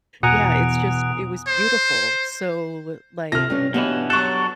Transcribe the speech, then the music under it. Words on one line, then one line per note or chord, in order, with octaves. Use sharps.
Yeah, it's just it was beautiful. So, like,
E2 B2 F#5 G#5 A#5 D#6 F#6 D7
C5
C3 F4 A4 F6 A#6
G2 C#4
G2 B2 E3 B3 G4 C#5
F#3 D4 A4 C#6 F#6